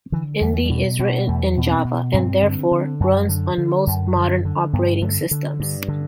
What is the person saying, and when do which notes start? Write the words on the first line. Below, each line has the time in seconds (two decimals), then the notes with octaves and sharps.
Indy is written in Java and therefore runs on most modern operating systems.
0.12 D3 E3
0.41 E2 G3
0.54 A3
0.65 G3
0.70 B2
0.99 B2
1.28 E2 A3
1.57 B2
1.66 D4
1.70 C4
1.85 B2
2.14 G2 C4
2.43 D3
2.71 D3
3.00 F#2
3.29 D3
3.58 D3
3.87 F#2
4.16 D3
4.45 D3
4.73 G2 B3
5.01 D3 A3
5.31 D3
5.60 G2
5.88 D3